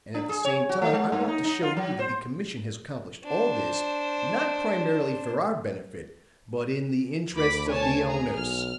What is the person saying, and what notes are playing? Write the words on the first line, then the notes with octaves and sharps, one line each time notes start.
And at the same time I want to show you that the commission has accomplished all this, not primarily for our benefit, but in the interests of the owners.
D4
G#4
C#5
F#4
A3
G#3
G2
D#4
D#4
F4
F#3
C5
D4 C5
D2 B5 D6 B6
C#5 G#5 A5
G#4 A#5
B1 F6